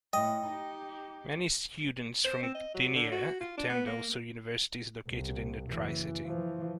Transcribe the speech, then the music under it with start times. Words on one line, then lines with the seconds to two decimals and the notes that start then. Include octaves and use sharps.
Many students from Gdynia attend also universities located in the Tricity.
0.13 A2 D#5 G5
0.47 D#4 G4
2.24 C5
2.42 C4
2.55 D#5
2.74 F#3
2.95 D3
3.12 F#4
3.40 F4
3.58 D4
3.69 B3
3.86 A#3
5.08 C2
5.70 F#1 E3
6.23 E3 F3